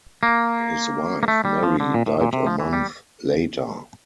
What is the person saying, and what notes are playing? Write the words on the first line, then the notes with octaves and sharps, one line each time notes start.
His wife, Mary, died a month later.
A#3
A#3
A3
G3
F3
D3
A#2
A2
A#2
C3
F3
E3
G3